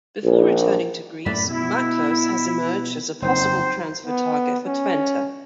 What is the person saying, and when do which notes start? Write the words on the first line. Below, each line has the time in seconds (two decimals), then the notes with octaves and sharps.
Before returning to Greece Machlas has emerged as a possible transfer target for Twente.
0.23 A#1
1.26 F#2 A2 A3 D5 B5
1.49 B2 E4
3.22 F#1 F2 C4 D#4 C5
4.06 B3
4.67 C#4